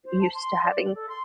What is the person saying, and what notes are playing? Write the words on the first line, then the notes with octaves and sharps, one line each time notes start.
used to having
C5
A5
C6
D5
A4
C6